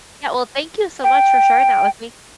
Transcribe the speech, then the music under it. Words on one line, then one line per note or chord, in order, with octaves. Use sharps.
Yeah, well, thank you so much for sharing that with me.
G5